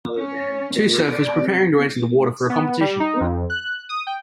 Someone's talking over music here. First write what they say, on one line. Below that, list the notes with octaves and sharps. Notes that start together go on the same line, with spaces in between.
Two surfers preparing to enter the water for a competition.
C#4
B2
D5
B3
G3
D#4
F2
F#6
D#6
G5